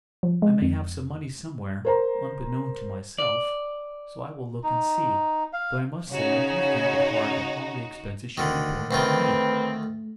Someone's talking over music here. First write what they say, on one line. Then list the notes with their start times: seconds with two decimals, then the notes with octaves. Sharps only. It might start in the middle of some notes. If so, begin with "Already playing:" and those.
I may have some money somewhere, unbeknown to myself, so I will look and see; though I must say I do think it hard that all the expenses should be borne by me!'
0.23 F3
0.42 G#3
0.62 F2
1.85 A#4 C5 A#5
3.18 D5
4.63 D#4
5.53 F5
6.11 C#3 D#4 F#4 C#5
8.37 D2 D3 D#3
8.91 D2 D#3 A3 C4 F4 B4